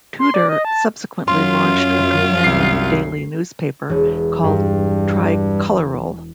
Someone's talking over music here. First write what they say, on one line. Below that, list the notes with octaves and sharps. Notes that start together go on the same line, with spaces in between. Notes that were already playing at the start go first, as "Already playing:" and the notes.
Tudor subsequently launched a companion daily newspaper called "Tricolorul".
C6
D5
D#5
A5
F#2 F4 C6
C2 C7
E1
G2